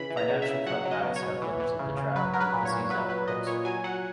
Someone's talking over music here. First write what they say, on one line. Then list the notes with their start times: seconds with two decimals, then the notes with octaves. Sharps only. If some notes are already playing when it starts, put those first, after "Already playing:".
Financial cutbacks have limited the tracking of disease outbreaks.
Already playing: C#3 E3 B5
0.10 E3
0.17 A#5
0.29 C#3
0.42 E5
0.49 C#3
0.66 F#3 F#5
0.85 F#3
0.91 D#5
1.04 B2
1.16 C#5
1.22 B2
1.42 E3
1.60 E3
1.79 C#3
1.97 C#3
2.16 F#3 B4
2.34 F#3 A#4
2.40 B4
2.54 A#2
2.65 C#5
2.72 A#2
2.90 F#3 B4
3.09 F#3 B4
3.28 A#2 D#5
3.46 A#2 C#5
3.65 F#3 G#5
3.84 F#3 F#5